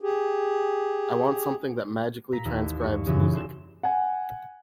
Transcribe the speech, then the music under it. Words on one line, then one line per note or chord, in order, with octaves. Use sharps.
I want something that magically transcribes music.
G4 G#4
A#2 A#5 B6
A1 D#2
G2 C#6
F#2 A#2 C#3 E3 G#3 C#4
E3 C4
E1 C6 E7
F#5 G#5